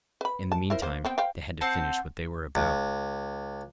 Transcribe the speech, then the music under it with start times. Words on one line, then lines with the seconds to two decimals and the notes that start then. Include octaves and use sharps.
In the meantime they had to finish what they were about.
0.21 B4 B5
0.52 A5
0.70 E4 A#4 C5
0.82 A#3 C5
1.05 B3 C4 G5
1.18 C5 F5 G5
1.61 C4 C5 F#5 A5
2.55 C#2